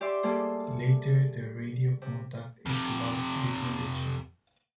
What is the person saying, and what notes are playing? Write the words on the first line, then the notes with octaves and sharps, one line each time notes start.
Later the radio contact is lost between the two.
G4 D5 E5 C6
G3 A#3 G#4 A4 C5
C3
F2 C3